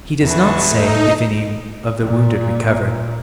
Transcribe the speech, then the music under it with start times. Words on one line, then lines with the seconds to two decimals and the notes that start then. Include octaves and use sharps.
He does not say if any of the wounded recovered.
0.22 E2 E3 A5 C#6
0.66 A2 D#4 A4
2.04 A#2